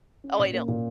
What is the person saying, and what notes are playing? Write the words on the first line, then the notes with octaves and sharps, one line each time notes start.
Oh, I know.
C#4
A#2
A#3
A#2